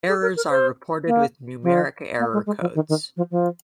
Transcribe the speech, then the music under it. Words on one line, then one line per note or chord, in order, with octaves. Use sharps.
Errors are reported with numeric error codes.
G#4
A#4
A#4
C5
A#3
F3
A#3
G#3
G#3
F3
D#3
D#3
F3
F3